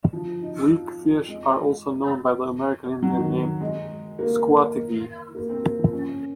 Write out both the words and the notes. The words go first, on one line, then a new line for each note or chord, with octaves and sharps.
Weakfish are also known by the American Indian name Squeteague.
F3
D#4
F4
G#3
F#3
D#3
G#3
A#3
A#3
C4
A#3
F3
C#4